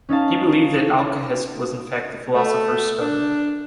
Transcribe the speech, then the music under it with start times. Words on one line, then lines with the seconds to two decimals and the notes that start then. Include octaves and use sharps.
He believed that alkahest was, in fact, the philosopher's stone.
0.09 C#4 D#4 F5 A5
2.35 A3
3.00 D4